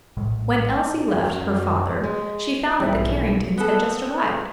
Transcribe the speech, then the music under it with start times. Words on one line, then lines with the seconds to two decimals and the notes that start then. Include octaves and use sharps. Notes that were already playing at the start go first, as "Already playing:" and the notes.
When Elsie left her father she found that the Carringtons had just arrived.
0.17 A#1 A2 G#3
1.07 F#2
2.04 G#3
2.80 B1 G#2 E3 G3 E4
3.58 B3 A4